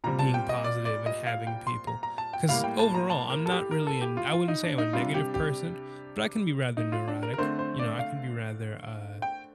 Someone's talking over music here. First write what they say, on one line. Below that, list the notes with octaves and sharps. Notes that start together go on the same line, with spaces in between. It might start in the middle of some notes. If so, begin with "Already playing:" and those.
being positive and having people, 'cause overall, I'm not really an I wouldn't say I'm a negative person, but I can be rather neurotic. You know, I can be rather, uh,
A#2 G3 C4 A#5
A5
G5
D#5
D5
D5
D#5
F5
G5
C6
A#5
A#5
A5
G5
A2 G3 A#3 F5
G5
A5
A#5
A5
A#4
A4
G4
A#4
A4
G4
F4
F4
D#4
D4
D#4
C3 G3 D4 F4
G4
G4
D#4
F4
D4
A#4
A#4
D3 A3 C4 C5
C5
D5
F5
G5